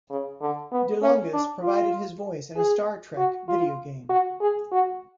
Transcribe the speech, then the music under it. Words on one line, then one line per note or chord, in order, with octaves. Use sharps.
De Longis provided his voice in a "Star Trek" video game.
C#3
D3
B3
C#4
D4
F4
G#4
F#4
F4
F#4
G#4
F#4